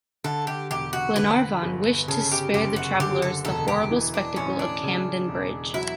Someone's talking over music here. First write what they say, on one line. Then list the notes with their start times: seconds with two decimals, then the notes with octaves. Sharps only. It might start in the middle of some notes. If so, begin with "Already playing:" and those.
Glenarvan wished to spare the travelers the horrible spectacle of Camden-Bridge.
0.24 D3 A4
0.47 G4
0.70 E1 G4
0.93 F#4
1.16 D3 B4
1.63 G1
2.08 C#3 A4
2.31 G4
2.53 F#1 G4
2.76 F#4
2.99 D3 G4
3.22 A4
3.45 E1 A4
3.68 G4
3.91 E3
4.14 D4
4.36 A1 C#4
4.59 D4
4.83 C#3
5.28 E1
5.74 F#3 E4